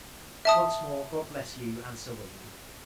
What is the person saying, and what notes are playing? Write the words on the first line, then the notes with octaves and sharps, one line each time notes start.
Once more, God bless you and Sir William.
E5 A5 D#6